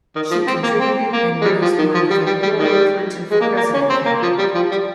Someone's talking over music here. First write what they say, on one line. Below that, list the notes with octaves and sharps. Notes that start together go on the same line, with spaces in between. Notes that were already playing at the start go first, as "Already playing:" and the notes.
She contributed and raised money for the Hillary Clinton for President campaign.
D#3
F3
C4
A#3
C4
A#3
G#3
G3
F3
D#3
F3
G3
G3
G3
D#3 G3
G#3
A#3
A#3
C#4
C4
A#3
F3
G3
F3
G3